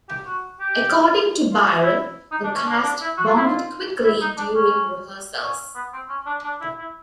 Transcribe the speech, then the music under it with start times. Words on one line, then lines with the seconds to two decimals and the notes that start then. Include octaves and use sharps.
According to Byrne, the cast bonded quickly during rehearsals.
0.09 G4
0.26 F#4
0.60 G4
1.52 F4
1.63 F#4
1.81 E4
2.32 D#4
2.44 D4
2.55 C#4
2.66 D4
2.83 D4
3.01 E4
3.17 F#4
3.27 F4
3.36 E4
3.45 F4
4.04 E4
4.21 D#4
4.37 D4
4.55 C#4
5.41 C#4
5.75 B3
5.93 C4
6.09 C#4
6.26 D4
6.44 D4
6.61 E4
6.78 E4